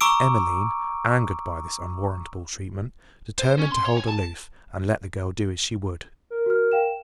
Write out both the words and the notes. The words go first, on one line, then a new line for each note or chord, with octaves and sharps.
Emmeline, angered by this unwarrantable treatment, determined to hold aloof, and let the girl do as she would.
A#5 C#6 D6 E6 D7
C5
C#4
C6
C#5
G#5
A5
A#4
F#4 F6
F5 G5 E7